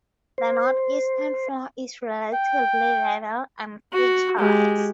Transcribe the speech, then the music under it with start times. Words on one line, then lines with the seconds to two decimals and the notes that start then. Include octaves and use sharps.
The northeastern floor is relatively level and featureless.
0.38 C5
2.34 G5
3.92 F#4
4.38 G#3 G4